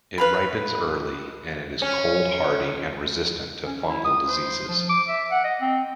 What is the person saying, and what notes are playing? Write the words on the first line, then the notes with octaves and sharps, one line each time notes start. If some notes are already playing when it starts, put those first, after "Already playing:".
It ripens early, and it is cold-hardy and resistant to fungal diseases.
B4 F5 B5
C#4
C#4
E4
D#6
C5
F3
D6
E5
F#5
D#5
C4